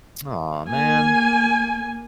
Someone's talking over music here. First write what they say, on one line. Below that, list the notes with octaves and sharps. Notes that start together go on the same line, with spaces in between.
Aw, man.
A#3 G#5